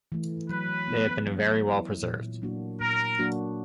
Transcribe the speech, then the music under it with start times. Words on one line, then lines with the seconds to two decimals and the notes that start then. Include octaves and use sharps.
They have been very well preserved.
0.12 E3 A3
0.50 F#3 B4
0.88 B3 E4
1.26 F#3
1.65 B3 E4
2.03 A#2
2.42 F#3 A#3 D4 F#4
2.80 A#2 A#4
3.19 F#3 A#3 D4 F#4